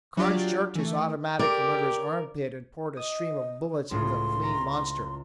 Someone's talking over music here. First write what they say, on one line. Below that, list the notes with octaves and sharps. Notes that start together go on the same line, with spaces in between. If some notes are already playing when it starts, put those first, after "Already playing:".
Carnes jerked his automatic from under his armpit and poured a stream of bullets into the fleeing monster.
F#3 D4 F4 G4 D5
E3 A3
G4 A#4 D5
D#5 D#6
C#2 A2 F4 C6
A#5